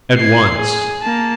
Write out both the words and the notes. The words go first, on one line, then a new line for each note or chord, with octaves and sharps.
At once.
G#6 C7
G#4
A#3 A5